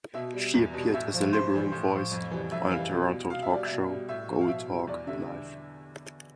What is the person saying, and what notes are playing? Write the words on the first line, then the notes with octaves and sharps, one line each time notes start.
She appeared as the Liberal voice on a Toronto Talk Show, Goldhawk Live!
B2 E5
G3
E2
B2 G3
A2 E5
F3
G2 C5
E3 G3
A2
F3
F2
E3 G3
F2 E5
E3 G3 F5
B2
G3
B2 F5
E5
G3 D5
B2 E5
G3
A2 E5
F3
F5
B2 E5
G3
E2 D5
D3 G3 E5